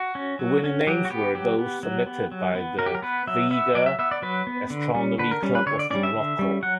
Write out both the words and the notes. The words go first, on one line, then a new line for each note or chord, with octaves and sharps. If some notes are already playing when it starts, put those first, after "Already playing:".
The winning names were those submitted by the Vega Astronomy Club of Morocco.
Already playing: F#4
C#4
F#3
C#4
F#3 G4
F#4
B3 G4
F#3 G4
B3
F#3
B3
F#3
B3
F#3 A#4
G4
A#4
B3 B4
F#3 E5
B3 E5
F#3 D5
E5
B3 E5
D5
F#3 B4
B3
D3
G3 C#4
D3 B4
A#4
G3 C#4
B4
D3 C#5
D5
G3 C#4 D5
E5
D3
G3 C#4
F#3 F#5